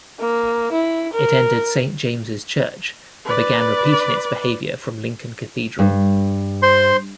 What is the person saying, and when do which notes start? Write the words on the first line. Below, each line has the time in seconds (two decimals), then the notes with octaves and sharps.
It entered Saint James' Church and began repeating its behaviour from Lincoln Cathedral.
0.19 A#3
0.72 E4
1.13 A#4
3.26 B4 D5
5.79 G2
6.62 C5 C6